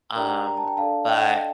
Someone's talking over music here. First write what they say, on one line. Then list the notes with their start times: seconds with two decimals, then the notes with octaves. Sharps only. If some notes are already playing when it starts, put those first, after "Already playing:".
um, but
0.15 D4 G4 A#4 D5 G5 A#5
0.46 A#5
0.57 A5
0.68 G5
0.77 D4 A4 D5 F5 A5
1.08 D#5 G5